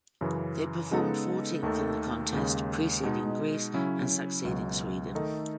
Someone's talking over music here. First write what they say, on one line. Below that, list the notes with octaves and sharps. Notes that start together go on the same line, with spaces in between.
They performed fourteenth in the contest, preceding Greece, and succeeding Sweden.
F#2 C#3 E3
C#3 G#3 B3 D#4 A4
D#2 D#3 A3 D#4 A4
D#2 C#3 G#3
B2 G#3 D#4
C#3 F#3 C#4 E4
C#2 B2 F#3
D#3 A3 D#4 A4